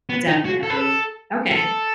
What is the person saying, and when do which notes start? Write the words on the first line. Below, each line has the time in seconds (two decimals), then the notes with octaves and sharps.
definitely, okay.
0.10 B3
0.28 D#4
0.45 F#4
0.63 A4
0.70 B4
0.77 A4
1.51 A4